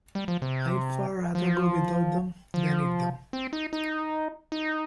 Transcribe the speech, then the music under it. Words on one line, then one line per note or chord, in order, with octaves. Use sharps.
I’d far rather go without them than eat them!
G3
F3
C3
F3
F3
C4
D#4
D#4
D#4